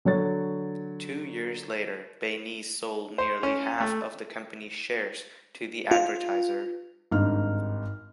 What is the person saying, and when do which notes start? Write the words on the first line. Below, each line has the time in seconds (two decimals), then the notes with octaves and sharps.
Two years later, Baynes sold nearly half of the company's shares to The Advertiser.
0.05 D3 F#3 C#5 A6
3.18 C5
3.43 C#4
3.80 A3
5.91 F4
7.11 G#1 G2 D#4 F6